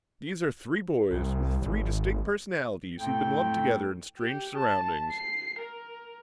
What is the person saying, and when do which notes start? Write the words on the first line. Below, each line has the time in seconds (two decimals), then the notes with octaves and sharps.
These are three boys, with three distinct personalities who've been lumped together in strange surroundings.
1.11 C2
1.62 G#1
2.99 F2 A2 A3 C4 G5
4.18 G4
4.57 A5
5.11 C7
5.59 A#4